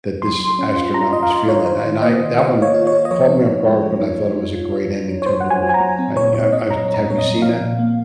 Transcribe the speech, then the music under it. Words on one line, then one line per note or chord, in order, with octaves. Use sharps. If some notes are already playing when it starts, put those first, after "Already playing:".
that this astronaut was feeling. I and I that one caught me off guard, but I thought it was a great ending to a movie, uh yeah, I was to have you seen that?
F#3 C6
F#3
C#4
F4
C#4 A#5
F4 D#5
F5
F4 D#5
F4 C#5
D#3 C5
D#3
A#3 D#5
D#3
F5
D#3 D#5
D#3
C#5
F4
C#5
F4
D#5
F3 C#5
D#4
F3
G#3
F3
D#4
G#3
D#4
F4
F4
F#3
F#3
C#5
F#3 C5
F#3 F#5
G#5
F#3
G#5
A#5
F#3
C4
A#2 C#5
A#2 C#5
C4 D#5
A#2 A#5
C4
A#5
A#2 C#5
D#5
C4
F3 F5
A#2
A#3